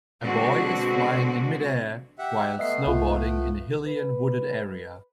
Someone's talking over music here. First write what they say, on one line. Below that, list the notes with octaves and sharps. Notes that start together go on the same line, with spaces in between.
A boy is flying in midair while snowboarding in a hilly and wooded area.
B2 D3 G#3 C4 F#4
G4 E5 F#5
A3 B3 D#5 E5 C7
C2 F4
B4